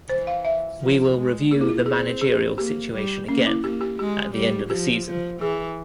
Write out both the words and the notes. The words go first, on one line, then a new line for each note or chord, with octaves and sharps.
We will review the managerial situation again at the end of the season.
E3 C5
F5
E5
F3
G#3
A#3 G#4
E4
F4
C4 G#4
G#4
A#3 G4
G3
A#3 C#4
E4
A#3 G4
G4
G#3 G4
G3
F3 G4
F3
E3 G#4